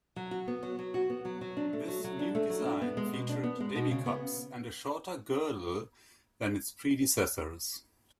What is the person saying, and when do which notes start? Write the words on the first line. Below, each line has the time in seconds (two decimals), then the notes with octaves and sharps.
This new design featured demi-cups and a shorter girdle than its predecessors.
0.16 F#3
0.31 F#4
0.48 B3
0.63 F#3
0.79 F#3
0.94 F#4
1.10 B3
1.25 F#3
1.41 F#3
1.57 D4
1.73 A3
1.88 F#3
2.04 F#3
2.19 D4
2.35 A3
2.50 F#3
2.65 D4
2.81 B3
2.97 G#3
3.13 B2
3.29 D4
3.43 B3
3.60 G#3
3.75 B2
3.91 C#3
4.06 B3